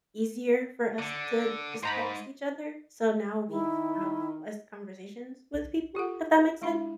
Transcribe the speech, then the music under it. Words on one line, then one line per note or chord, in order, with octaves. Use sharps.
easier for us to just text each other, so now we have less conversations with people, if that makes sense.
D3
G#2 C5 A#5 B5
D#3 E4
F4 G4 A4 F#5
G#3 D4 E4 E5 B5